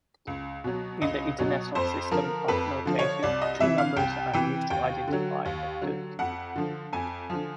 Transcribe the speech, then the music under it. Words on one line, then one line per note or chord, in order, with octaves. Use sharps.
In the international system of notation two numbers are used to identify the tooth.
C#2
B2 F#3
C#2 D#5
B2 F#3
F2 C5
D3 F3 A#4
F2 B4
D3 F3
C#5
C2 D5
D#5
C3 E3 E5
F5
C2 G5
C3 E3 G5
D#2 G5
D3 F#3
D#2
D3 F#3
F2 F#5
D3 F3
F2 G#5
D3 F3